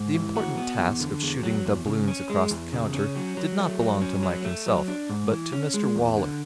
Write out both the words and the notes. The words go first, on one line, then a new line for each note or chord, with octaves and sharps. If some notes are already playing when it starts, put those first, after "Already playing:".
The important task of shooting doubloons across the counter did not belong to Mike himself, but to Mr Waller.
Already playing: G#2
E3
F#4
B3
E2
D3
E2
F#3
E2
C#3
C#4
G#3
E2
C#3
C#4
F#3
F#3
A3
F#3
C#4
F#3
A3
F#3
D4
G#2
E3
C#4
G#3
E2
D3